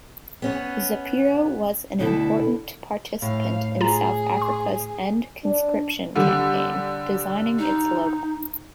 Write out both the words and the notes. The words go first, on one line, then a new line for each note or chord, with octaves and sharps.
Zapiro was an important participant in South Africa's End Conscription Campaign, designing its logo.
B3 C#4 C#5
D2 B2 D3 E4 G#4 A4
A2 F5
F4 G#4 A#5
C6
D4
D3 G3
D#4